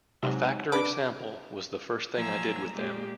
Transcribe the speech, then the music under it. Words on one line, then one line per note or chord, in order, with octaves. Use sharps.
"A Factory Sample" was the first thing I did with them.
G#2 C3 F#3
D4 B4 D6
A#2 F3 F#3 G#5 A#5 E6
A#2 G#3 A#3 G4